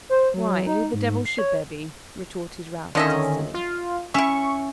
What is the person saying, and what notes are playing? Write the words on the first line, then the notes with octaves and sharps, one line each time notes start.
'Why, who the devil should there be?' retorted Ralph, testily.
C5
F#3
D#4
G#2
C7
C#5
D3 D#3 F3 C#4 D#5 E5
F4
C#4 E4 E5 C#6